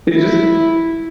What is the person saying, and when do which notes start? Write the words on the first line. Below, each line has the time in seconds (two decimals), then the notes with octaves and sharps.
You just
0.15 E4